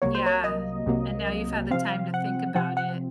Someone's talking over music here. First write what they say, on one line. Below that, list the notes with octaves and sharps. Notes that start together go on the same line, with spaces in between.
Yeah. And now you've had the time to think about it
C2 C3 F#3 A#3 C#5
C5
C#5
D#5
C2 C3 F#3 A#3
C3 F3 C4 F5
F#5
C3 F3 C4 F#5
F#5